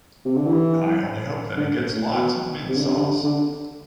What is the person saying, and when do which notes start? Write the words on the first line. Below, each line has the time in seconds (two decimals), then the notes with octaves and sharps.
I only hope that he gets lots of mint sauce.
0.25 C3
0.37 D3
0.47 E3
1.57 D3
1.76 B2
1.94 A2
2.13 B2
2.69 C3
2.76 D3
2.84 C3
2.96 D3
3.24 D3